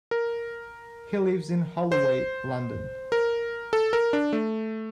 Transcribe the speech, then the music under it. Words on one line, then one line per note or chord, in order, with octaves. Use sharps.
He lives in Holloway, London.
A#4
C5
A#4
A4
A#4
D4
A3